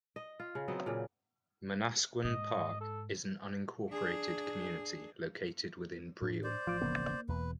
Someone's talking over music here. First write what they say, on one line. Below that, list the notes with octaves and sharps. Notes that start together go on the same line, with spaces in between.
Manasquan Park is an unincorporated community located within Brielle.
D#5
F4
C#3
F#3 B3 C4 D#5
A#2 C#3 D5
G#2 D#5
A4
D4 G#4
A2 D4
C5 D5
A1 F3 F4 D6
E1 C#3 A#3 B3
E1 E2 B4